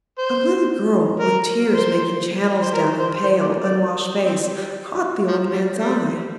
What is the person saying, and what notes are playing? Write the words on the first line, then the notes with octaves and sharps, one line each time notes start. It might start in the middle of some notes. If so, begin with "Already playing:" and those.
A little girl, with tears making channels down her pale, unwashed face, caught the old man's eye.
C5
A#4
C5
C5
A#4
C5
C5
D5
D5
C4
G3
F3
G3
G3